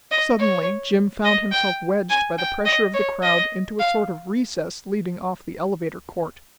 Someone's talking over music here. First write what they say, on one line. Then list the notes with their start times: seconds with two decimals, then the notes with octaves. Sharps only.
Suddenly Jim found himself wedged by the pressure of the crowd into a sort of recess leading off the elevator court.
0.11 D#5
0.39 C#5
1.24 D#5
1.52 G5
2.10 G#5
2.38 G5
2.65 D#5
2.94 C#5
3.23 D#5
3.80 F5